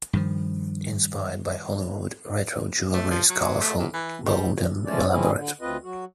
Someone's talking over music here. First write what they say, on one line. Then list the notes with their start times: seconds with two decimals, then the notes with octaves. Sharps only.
Inspired by Hollywood, Retro jewelry is colorful, bold and elaborate.
0.13 G2 D#3 F3
2.94 A3
3.11 F3
3.30 F#3
3.61 A3
3.80 E2
3.94 E3
4.26 G3
4.86 F3 G#3 A3 C#4 D5
5.10 E3 F3 G#3 C4 C#4 E4
5.35 D3
5.61 D2 C4 F4 B4 D#5
5.84 F#3 F#4